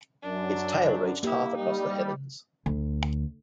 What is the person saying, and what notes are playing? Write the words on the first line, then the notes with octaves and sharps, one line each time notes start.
Its tail reached half across the heavens.
F#2 D4
A#3 E4 G4
G3 D#4
D2